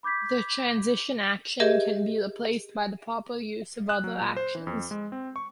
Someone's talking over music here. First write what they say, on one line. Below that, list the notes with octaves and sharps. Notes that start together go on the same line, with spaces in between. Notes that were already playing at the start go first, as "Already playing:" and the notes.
The transition action can be replaced by the proper use of other actions.
B5 D6 G6 G#6 B6
G4 G#4 A#4 D#5 E5
F#6
F#3
A#2
C5
E3
F2
G#3
C4
C#6